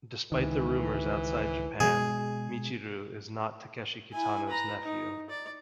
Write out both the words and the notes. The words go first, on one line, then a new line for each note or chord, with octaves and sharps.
Despite the rumours outside Japan, Michiru is not Takeshi Kitano's nephew.
C#2 D#3 E3
B2 G#3 G#4
E4 G#5
B4 A#5
D#4
D5